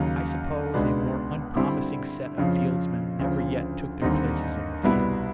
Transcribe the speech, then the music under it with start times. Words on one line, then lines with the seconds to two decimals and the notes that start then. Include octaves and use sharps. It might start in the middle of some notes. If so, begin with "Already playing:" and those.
I suppose a more unpromising set of fieldsmen never yet took their places in the field.
Already playing: D#2 C#3 F#3
0.74 C#2 B2 G#3 B3 D4
1.56 G2 D3 G3 C4 E4
2.38 F2 C#3 F3
3.19 D2 C#3 F3
4.02 D#2 D3 G3 C4 D#4
4.84 C2 B2 G3 B3 E4